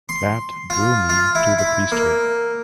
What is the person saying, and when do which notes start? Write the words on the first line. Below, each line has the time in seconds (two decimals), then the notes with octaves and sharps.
That drew me to the priest-hood.
0.09 C6
0.70 F4
1.09 F4
1.35 E4
1.59 E4
1.92 A#3